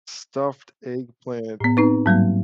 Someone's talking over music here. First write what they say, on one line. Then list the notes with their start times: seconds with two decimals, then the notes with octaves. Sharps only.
Stuffed eggplant
1.60 A2 B3
1.77 C4 D#4 B4
2.06 G#2 F#3 G3 A#3